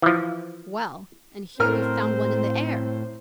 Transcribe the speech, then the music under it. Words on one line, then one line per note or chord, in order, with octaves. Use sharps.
"Well; and here we've found one in the air!"
E3 F3
A2 C4 A#4 C5 F6